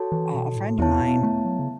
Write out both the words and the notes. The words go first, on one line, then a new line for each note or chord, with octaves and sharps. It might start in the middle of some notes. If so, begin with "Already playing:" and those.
uh, a friend of mine,
Already playing: F#4 A4 C#5 A5
E3
B2
A2
E2 B3 E4 C#5 A5
B2
A3
F#3
C#3